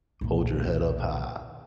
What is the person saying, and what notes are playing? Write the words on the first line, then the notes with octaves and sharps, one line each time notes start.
Hold your head up high.
B1 A#2